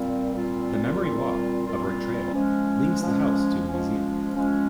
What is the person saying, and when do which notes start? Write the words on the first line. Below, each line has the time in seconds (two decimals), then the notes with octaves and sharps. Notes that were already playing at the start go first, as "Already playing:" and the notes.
The Memory Walk, a brick trail, links the house to the museum.
Already playing: A#2 G3 C4 F4
0.33 A#2 G3 C4 F4
1.01 A#2 G3 C4 F4
1.67 A#2 G3 C4 F4
2.33 F3 G#3 C#4
3.01 F3 G#3 C#4
3.68 F3 G#3 C#4
4.35 F3 G#3 C#4